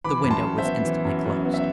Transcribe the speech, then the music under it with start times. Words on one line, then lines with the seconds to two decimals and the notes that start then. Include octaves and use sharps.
The window was instantly closed.
0.04 E3 B5 D6
0.24 F#2
0.31 A5 C6
0.45 F#2
0.58 C5 E5
0.65 B3
0.85 E3
1.05 F#2
1.25 F#2
1.45 B3
1.54 E5